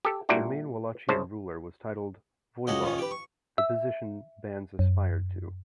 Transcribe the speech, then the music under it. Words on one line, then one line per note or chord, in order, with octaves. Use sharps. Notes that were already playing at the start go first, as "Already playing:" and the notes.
The main Wallachian ruler was titled voivod, the position bans aspired to.
G4 A4
A#2 G3 D4 E4 F#4
C2 C#3 C5 A5
C#2 C#4 F#4 G#4 D#5 F#5
A#2 D#3 C#4
G4 B4
C#6
E5
F#2